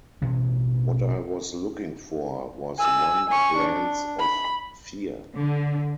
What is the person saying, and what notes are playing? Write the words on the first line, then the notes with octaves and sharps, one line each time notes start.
What I was looking for was one glance of fear.
A1 B2 E3 C#4
G#5 E6
G#5 C#6
D4
B5
D3